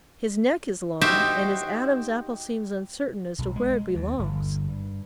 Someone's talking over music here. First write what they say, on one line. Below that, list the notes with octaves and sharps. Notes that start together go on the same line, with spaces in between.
His neck is long and his Adam's apple seems uncertain as to where it belongs.
D#4 F#4 G4 C5 E5
B1
G#3
D#2
G1
G2